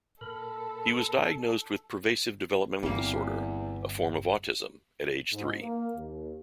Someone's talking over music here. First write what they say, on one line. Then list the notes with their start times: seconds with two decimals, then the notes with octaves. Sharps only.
He was diagnosed with pervasive developmental disorder, a form of autism, at age three.
0.21 A#2 A4 A#4 B5
2.83 G1 E2 G3 A#3 C4 G4
5.31 G#2
5.60 A#3
5.95 D#2